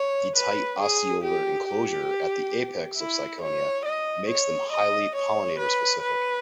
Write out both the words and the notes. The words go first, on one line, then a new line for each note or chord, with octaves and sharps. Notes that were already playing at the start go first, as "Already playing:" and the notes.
The tight ostiolar enclosure at the apex of syconia makes them highly pollinator-specific.
Already playing: C#5
B4
G#4
G4
G4
E4
C#5
D#5
C#5
D#5
C#5
B4
B4